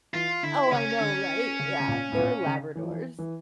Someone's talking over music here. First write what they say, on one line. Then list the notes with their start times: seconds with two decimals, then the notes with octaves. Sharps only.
Oh, I know. Right? Yeah. They were Labradors.
0.14 E3 F4
0.43 D3 E4
0.71 C#3 C#4
1.01 D3
1.59 C#3
1.80 C#3
1.88 A#2
2.12 A2
2.17 A#2
2.46 C#3
2.75 E3
2.83 F3
2.90 E3
3.18 E3